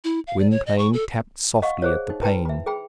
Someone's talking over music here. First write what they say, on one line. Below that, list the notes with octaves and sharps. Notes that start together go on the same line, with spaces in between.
Gwynplaine tapped softly at the pane.
E4
F5
D5
C#5
D#5
C#6
A4
D#5 F5 F#5 C#6
G#4 C5 C#5
D#4
E4 B4 G5 A5
E5 B5
G#4 G5 B5